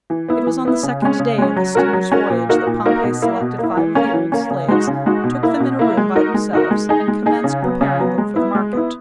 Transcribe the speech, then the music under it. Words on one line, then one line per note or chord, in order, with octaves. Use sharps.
It was on the second day of the steamer's voyage that Pompey selected five of the old slaves, took them in a room by themselves, and commenced preparing them for the market.
E3
B3 E4
E3
B3 E4
C#3
G#3 C#4
C#3
G#3 C#4
F#3
C#4 F#4 A#4
F#3
C#4 F#4 A#4
A#2
A#3 D#4 F#4 A#4
A#2
A#3 D#4 F#4 A#4
B2
A#3 E4
B2
A#3 E4
E3
A#3 C#4
E3
A#3 C#4
C#3
G#3 D#4 F#4
C#3
G#3 D#4 F#4
B2
A#3 E4
B2
A#3 E4
G#3
D#4 F#4 A#4
G#3
D#4 F#4 A#4
G#3
D#4 G#4
G#3
D#4 G#4
C#3
F#3 B3
C#3
F#3 B3
G#3
B3 E4
G#3
B3 E4